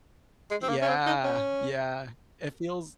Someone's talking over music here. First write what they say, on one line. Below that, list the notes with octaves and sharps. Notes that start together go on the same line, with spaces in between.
Yeah, yeah, it feels
G#3
C4
A#3
C#4
C4
D#4
C#4